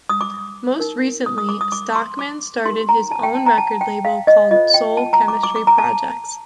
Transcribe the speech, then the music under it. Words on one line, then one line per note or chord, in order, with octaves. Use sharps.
Most recently, Stockman started his own record label called Soul Chemistry Projects.
D#6
D6
D#4 A#4
D#6
D#6
D6
D#6
D6
C6
D6
D#4 G4 A#4 C6
A#5
A5
G5
A5
A#5
A5
G5
F5
D#5
F4 A4 C5 D#5
G5
A5
A#5
D6
D6
D6
A#5
A5